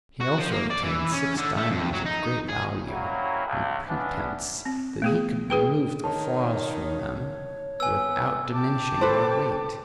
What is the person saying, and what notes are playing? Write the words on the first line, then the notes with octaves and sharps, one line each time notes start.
He also obtained six diamonds of great value, on pretence that he could remove the flaws from them without diminishing their weight.
F#4
F3
A#3
D5
E3
C#4
D3
A3
F2
F#3
D#4
G#4
F#3 G3 A#3 C4 C#4 E4
C#2
E3 B3 C#4 D4
C4
A3 B3 G#4
G#4 B4 G5
D#3 C#5 A5
B3 G#5 E6
G5 A5 D6
A4 B4 C5